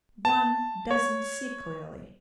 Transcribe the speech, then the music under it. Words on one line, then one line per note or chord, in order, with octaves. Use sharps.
One doesn't see clearly.
A5
C#5